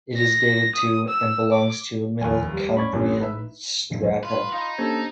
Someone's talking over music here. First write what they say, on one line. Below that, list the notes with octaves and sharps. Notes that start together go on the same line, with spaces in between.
It is dated to and belongs to middle Cambrian strata.
A#6
D#6
E6
D6
F1 D#2 G#5
G3 G4
C#4 D5 B5 C#6 G#6
A1 G2 C3 C#4
D#4 B4 E5
F4 B4
D#4 F5 B5
A#3 C#4 D4 G4 A4 C5 G#6